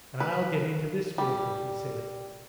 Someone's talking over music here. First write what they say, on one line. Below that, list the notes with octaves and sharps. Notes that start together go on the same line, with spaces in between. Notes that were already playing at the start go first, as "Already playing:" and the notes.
"And I'll get into this vehicle," he said.
B4
G3